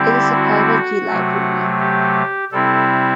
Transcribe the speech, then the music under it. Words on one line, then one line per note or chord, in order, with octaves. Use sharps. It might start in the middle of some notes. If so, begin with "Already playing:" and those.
It is a Carnegie Library.
Already playing: D3 G3 C4 E4 G4
F#4
C3 F#3 A3
G4
C3 G3 C4 E4 A4